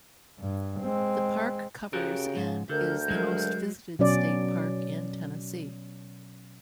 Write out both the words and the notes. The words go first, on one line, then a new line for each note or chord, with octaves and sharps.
The park covers and is the most visited state park in Tennessee.
G2
G#3 C4
C#3 F#4 G4 A#4
G#2
D2 D3 A#4 G6
F#3 G#3
B2 F#3 C#4 D5